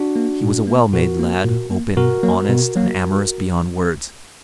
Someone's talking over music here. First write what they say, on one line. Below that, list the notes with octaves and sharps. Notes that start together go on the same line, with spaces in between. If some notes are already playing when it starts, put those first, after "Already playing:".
He was a well-made lad, open, honest, and amorous beyond words.
Already playing: D4 F#4
A#3
A#2
A#3
A#2 F#4 A#4
A#3
A#2
A#3
B2 F#4 A#4
F#3 A#3
B2
F#3 A#3